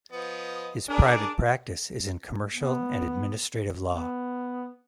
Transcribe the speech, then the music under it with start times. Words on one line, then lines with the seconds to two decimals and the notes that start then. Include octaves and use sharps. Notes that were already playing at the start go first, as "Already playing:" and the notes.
His private practice is in commercial and administrative law.
0.12 F3 B3 D#5
0.89 D4 G#4 A#4
2.53 B3
3.87 B3